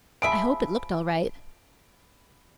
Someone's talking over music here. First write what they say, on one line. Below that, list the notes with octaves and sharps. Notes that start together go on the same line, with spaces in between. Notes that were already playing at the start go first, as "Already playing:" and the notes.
"I hope it looked all right?"
F3 G#4 E5 B5 D7